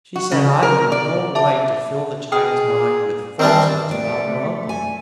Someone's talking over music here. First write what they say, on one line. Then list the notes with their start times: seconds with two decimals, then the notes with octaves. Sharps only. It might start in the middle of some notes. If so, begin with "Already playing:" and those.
She said I had no right to fill the child's mind with falsehoods about her uncle.
0.16 F#4
0.32 C#3
0.63 A#4
0.92 D5
1.35 E5 A5 D6
2.32 G#4 G5 D#6 F6
3.40 D#3 G3 C4 D4
3.91 A3 D5
4.69 G#5